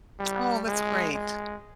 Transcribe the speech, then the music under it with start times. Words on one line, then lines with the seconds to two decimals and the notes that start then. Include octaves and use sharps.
Oh, that's great.
0.20 G3
0.67 G#3
1.14 G#3